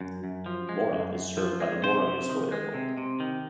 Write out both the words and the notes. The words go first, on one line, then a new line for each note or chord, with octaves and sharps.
Mora is served by the Mora Municipal Airport.
F#2
F#2
F3
G#3
F#2
F#2
F3
G#3
C3 C5
C3
D#3
G#3
C3
C3
D#3